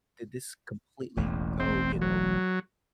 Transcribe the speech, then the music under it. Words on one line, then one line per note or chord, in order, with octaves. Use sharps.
did this completely go, you know,
E1 A1 E2
C4
F#3